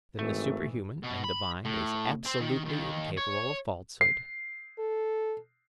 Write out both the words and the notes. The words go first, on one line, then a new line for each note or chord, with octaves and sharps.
Then the superhuman and divine is absolutely incapable of falsehood?
G#1 G#2 E3 A3
B2
B5
A2
C4
D#3
D#2
C#5
C7
A4